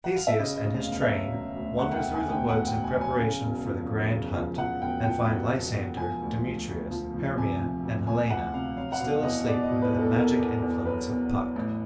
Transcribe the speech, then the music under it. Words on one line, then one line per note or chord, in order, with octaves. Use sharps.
Theseus and his train wander through the woods in preparation for the grand hunt and find Lysander, Demetrius, Hermia and Helena still asleep under the magic influence of Puck.
F#5
F5
E5
C#3 D#5
D#5
D2
F5
E1
F5
E5
F#3 F5
F#3
D2
E1 F#5
F#5
G5
D2
G#5
D2
G5
E1 F#5
E1 G5
G#5
F#3
G#5
C#3
E1
F3
E1
C#3
F3
F3 F#5
E1 G5
F3 G5
E1
E1
E1
F3 G#5
D2
F3
D2
F3
F3
C3 G#5
F3
D2
F3 G#5
D2 F#5
C3 F5
F#3 F5
F#5
B2 F5
E2 D#5
B2 D5
D#5
B2
B4
E2
A4
B2 A#4
E2
E2
F#3 B4
E2
F#3
A1